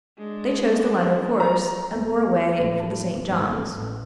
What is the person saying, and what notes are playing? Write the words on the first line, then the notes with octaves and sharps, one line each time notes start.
They chose the latter course, and bore away for the St. John's.
G#3 D4
A#5
E2
A2
A5
G#2
A4
A1